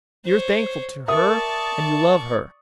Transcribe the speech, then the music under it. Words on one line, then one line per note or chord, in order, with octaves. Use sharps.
You're thankful to her, and you love her.
C5 C#5
A#4 D5 E5 A5 C#6 D#6